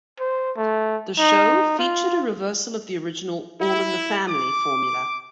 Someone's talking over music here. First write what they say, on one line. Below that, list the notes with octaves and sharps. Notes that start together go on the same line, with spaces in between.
The show featured a reversal of the original "All in the Family" formula.
C5
A3
D#4
F4
E4
D6